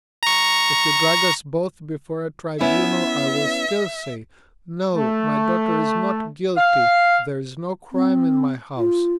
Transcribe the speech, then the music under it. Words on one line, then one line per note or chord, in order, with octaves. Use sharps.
If you drag us both before a tribunal I will still say, 'No, my daughter is not guilty;--there is no crime in my house.
A#5 C#6
B3 C#4 E4 E5
A3
F5
C4
F4